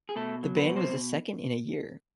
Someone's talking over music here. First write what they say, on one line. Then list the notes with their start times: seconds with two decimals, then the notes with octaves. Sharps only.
The ban was the second in a year.
0.09 G#4
0.16 B2 A3 A4
0.43 F#3
0.56 B3 B4
0.69 B2
0.76 C4 C5